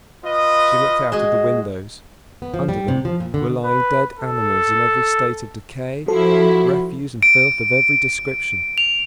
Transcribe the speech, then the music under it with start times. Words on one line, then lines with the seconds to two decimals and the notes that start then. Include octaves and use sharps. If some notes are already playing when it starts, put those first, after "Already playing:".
She looked out of the windows; under them were lying dead animals in every state of decay, refuse and filth of every description.
0.25 F4 B4 D#5
1.12 G#3 F#4 D#5
2.42 B3
2.54 F3
2.69 G3
2.88 C3
3.05 F3
3.20 A#2
3.34 D3
3.64 B4
4.20 A4
6.08 F3 E4 F#4 A4
7.23 D7
8.78 F7